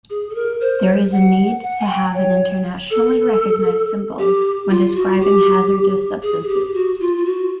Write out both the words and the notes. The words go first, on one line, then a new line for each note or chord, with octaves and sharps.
There is a need to have an internationally recognized symbol when describing hazardous substances.
G#4
A4
A#4
C5
F#5
F#5
G#5
G5
C#5
A4
G4
F4
F#4
G4
G#4
G#4
G4
G4
F#4
F4
F4
F#4